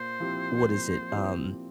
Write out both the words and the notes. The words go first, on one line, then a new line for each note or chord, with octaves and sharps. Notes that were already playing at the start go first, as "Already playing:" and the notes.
What is it? Um,
Already playing: A#2 C5
F3 C4 E4 G4
A#2
F3 C4 E4 G4